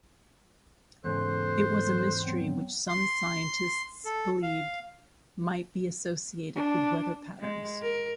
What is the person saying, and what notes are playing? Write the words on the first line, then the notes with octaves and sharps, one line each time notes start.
It was a mystery which some scientists believed might be associated with weather patterns.
E2 G#2 C#3 A4 C5 F#6
F#3 B3 C4
C6
A4
F5
D4
G#3
A#4